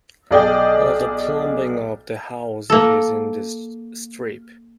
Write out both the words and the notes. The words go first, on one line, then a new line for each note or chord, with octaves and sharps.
All the plumbing of the house is in this strip.
B1 G#4 D5 D#5 G5 G6
A#3 A4